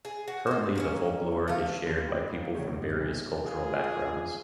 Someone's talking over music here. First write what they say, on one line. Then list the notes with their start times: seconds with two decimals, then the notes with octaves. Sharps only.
Currently the folklore is shared by people from various cultural backgrounds.
0.05 G#4
0.28 F#4
0.47 D#4 C5
0.75 A#3 C4 C#4
1.48 A3 F5
1.86 D#2 F4 B4
2.08 F#2 C4 B4
2.33 A#3
2.55 C#2 C3 F#3 C5 C#5
2.79 G1 D#5
2.93 B1 C3
3.46 F4 G#4